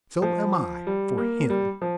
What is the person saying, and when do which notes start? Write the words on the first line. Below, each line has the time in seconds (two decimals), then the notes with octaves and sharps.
So am I--for him.
0.22 F3
0.87 G3
1.18 A#3
1.50 G3
1.82 F3